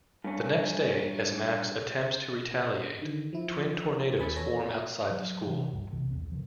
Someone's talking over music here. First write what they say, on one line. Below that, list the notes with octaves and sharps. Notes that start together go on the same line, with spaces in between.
The next day, as Max attempts to retaliate, twin tornadoes form outside the school.
G2 C#4
D3 D#3
F3 E4
D#2 B4 G#5 B5 A6
E2 A4 C#5 A#6
F#3
C3 E3
F#1 C#2 G2
A#1 C3 E3
B1 E2 C4
C#3 F3